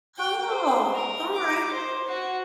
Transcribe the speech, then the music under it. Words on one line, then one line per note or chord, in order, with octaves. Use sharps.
Oh, alright.
G5
C5
A#4
D6
C5
F#4